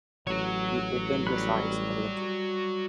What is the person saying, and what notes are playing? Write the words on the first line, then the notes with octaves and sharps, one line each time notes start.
He opened his eyes a little.
A1 F#3 F#4 C#5
G3 B5 F#6